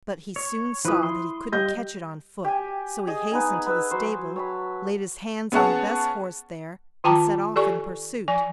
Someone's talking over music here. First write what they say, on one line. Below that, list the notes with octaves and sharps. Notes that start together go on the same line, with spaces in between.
But he soon saw that he couldn't catch it on foot, so he hastened to the stable, laid his hands on the best horse there, and set off in pursuit.
C#5
F3 E4 B4 D#6
C6
G3 D#5 G6
G4 G#5
G#4 D#5
B3 D#4 G#5
B3 B4 E6
F#3 B4 C5
C#5 A5 B5
B3 C#4 G#4 C#5 F#5 A5
D#3 F4 G5 A5 A#5 D6
G4 A4 D5 G#5 C#6
F3 G#5